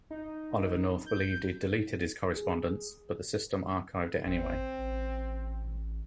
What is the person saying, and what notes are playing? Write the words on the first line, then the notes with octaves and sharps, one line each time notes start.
Oliver North believed he had deleted his correspondence, but the system archived it anyway.
D#4
G6
G#4
G#1 C4
A1